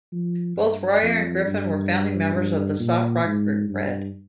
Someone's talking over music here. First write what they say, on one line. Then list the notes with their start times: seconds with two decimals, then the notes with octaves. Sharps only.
Both Royer and Griffin were founding members of the soft-rock group Bread.
0.13 F3
0.57 G2
1.02 F2
1.46 G2
2.35 G2
2.80 A#2
3.25 G#2
3.69 G2